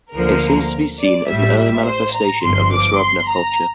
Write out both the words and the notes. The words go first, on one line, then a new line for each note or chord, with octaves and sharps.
It seems to be seen as an early manifestation of the Srubna culture.
D2 D3 F3 A#3 A#4
D5
A1 A2 G3 E5
C5
A#5
G1 G2 F3 C6
D6
C6
A#5